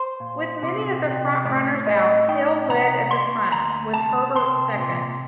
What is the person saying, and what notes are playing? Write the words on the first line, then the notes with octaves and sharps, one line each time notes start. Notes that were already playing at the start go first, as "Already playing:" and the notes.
With many of the front-runners out, Hill led at the front, with Herbert second.
Already playing: C5
A#2
C3
C3
A2 D5
A2 D#5
D#4 G5
C3 A#5
A#3 C6
D2 A#5
C3 A5
C3 C6
A#2